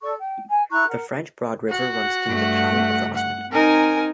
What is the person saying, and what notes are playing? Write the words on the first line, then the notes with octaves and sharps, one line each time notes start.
The French Broad River runs through the town of Rosman.
A4 D5 C#6
G5
G#5
E4 A#5 C#6 F#6
A#4 F#5
F#4 F#5
G2 A3
F#5
C4 D#4 A#4 G#5